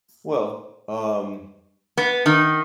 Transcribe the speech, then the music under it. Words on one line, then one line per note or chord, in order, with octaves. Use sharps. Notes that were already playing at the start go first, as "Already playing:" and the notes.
Well, um,
B3
D#3